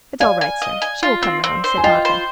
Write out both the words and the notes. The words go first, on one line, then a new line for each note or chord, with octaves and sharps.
"It's all right, sir; she will come round," said Matvey.
D5 F5 G#5
G#5
D#5
G#5
F4
C4
C4
C5
G#5
F4 D#5 G5
C5